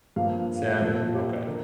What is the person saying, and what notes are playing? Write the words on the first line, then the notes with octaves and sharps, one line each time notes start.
Salmon, okay.
G2 F3 A#3 F5
A#2 F3 A3 A4
F4
G4
D3 A#4